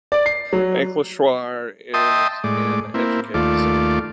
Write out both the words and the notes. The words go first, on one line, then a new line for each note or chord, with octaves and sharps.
Ankleshwar is an educated city.
D5
C7
F#3
D#5 E5 G5 A5 C6 D#6
A2 G#3 D5
A#3 C4 E4
D#2 A3 F4 D5